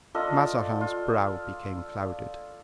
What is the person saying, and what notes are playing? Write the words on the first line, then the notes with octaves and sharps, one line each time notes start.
Mazarin's brow became clouded.
D4 F4 A4 D#5
F4